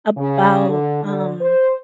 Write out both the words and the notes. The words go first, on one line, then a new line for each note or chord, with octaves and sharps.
about, um
C#3
D3
D3
C5